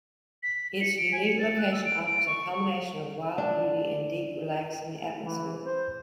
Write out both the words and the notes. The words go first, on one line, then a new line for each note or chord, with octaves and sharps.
Its unique location offers a combination of wild beauty and a deep relaxing atmosphere.
B6
C#7
D7
G#5
C#7
A6
F#6
E6
D7
D7
C#6
C#6
D4
E3
C5